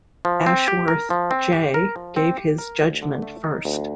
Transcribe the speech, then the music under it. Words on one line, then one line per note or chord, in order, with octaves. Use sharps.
Ashworth J gave his judgment first.
F3
C4
G4
A#4
F3
C4
G4
A#4
F3
C4
G4
A#4
D2
D3
A3
D#4
D2